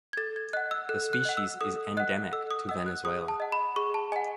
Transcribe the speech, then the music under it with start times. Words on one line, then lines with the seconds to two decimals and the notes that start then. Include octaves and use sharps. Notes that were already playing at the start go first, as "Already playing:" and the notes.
The species is endemic to Venezuela.
0.13 G#6
0.17 A4 A6
0.36 G#6
0.53 D#5 F#5 F#6
0.71 E6
0.89 A4 F#6
1.13 F#6
1.25 D#5 F#5
1.37 E6
1.61 A4 D#6
1.97 D#5 F#5 F#6
2.32 A4 E6
2.51 D#6
2.69 D#5 F#5 E6
2.86 F#6
3.05 G#4 D#6
3.28 A5
3.40 D#5 F#5
3.52 B5
3.76 G#4 C#6
3.94 A5
4.12 D#5 F#5 G#5